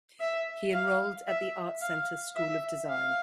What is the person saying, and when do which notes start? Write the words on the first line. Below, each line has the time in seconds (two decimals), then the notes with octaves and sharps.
He enrolled at the Art Center School of Design.
0.20 E5
0.74 F5
1.27 E5
1.81 F5
2.36 E5
2.89 F5